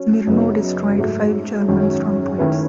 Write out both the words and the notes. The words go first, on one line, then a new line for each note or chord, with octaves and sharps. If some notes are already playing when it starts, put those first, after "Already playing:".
Smirnov destroyed five German strongpoints.
Already playing: F#3 C#4
F#2 C#3 F#3 B3 D#4
G#2 F#3 A3
F#2 D#3 G#3 C#4 F#4
D#3 A3 C#4 E4 B4